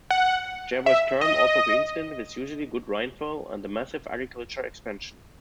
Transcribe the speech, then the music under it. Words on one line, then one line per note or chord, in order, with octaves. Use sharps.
Jervois' term also coincided with unusually good rainfall and a massive agricultural expansion.
F#5
E5
D#5